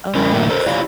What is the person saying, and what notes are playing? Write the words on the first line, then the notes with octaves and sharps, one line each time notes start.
Oh, nice.
F2 C#4 D4 E4 A#4
A2 D3 A3 A#3
A4 A#4 C5
E4 F4 G4 C#5 D5 F5